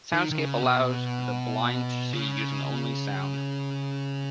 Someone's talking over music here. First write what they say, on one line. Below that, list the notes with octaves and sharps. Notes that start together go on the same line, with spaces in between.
Soundscape allows the blind to see using only sound.
D#3
D#3
C#3
B2
C#3